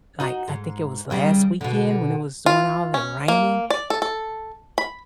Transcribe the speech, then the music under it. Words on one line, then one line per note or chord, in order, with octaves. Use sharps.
like, I think it was last weekend when it was doing all the raining?
D#4 F#4
G#2
D#2 C#3 G3
B2 D3
F4
C#4
A#3
D5
A4
A4
B5